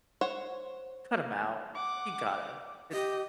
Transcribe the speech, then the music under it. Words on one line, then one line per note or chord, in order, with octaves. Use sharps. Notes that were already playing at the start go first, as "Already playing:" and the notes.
cut 'em out. You gotta. It
C5 C#5 F#5
F#5 D6
G4 D#5